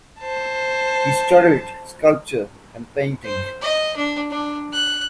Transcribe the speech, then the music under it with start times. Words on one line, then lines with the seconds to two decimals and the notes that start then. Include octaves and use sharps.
He studied sculpture and painting.
0.20 C5 A5
3.24 C5
3.62 D#5
3.96 D4
4.31 D4
4.73 F#6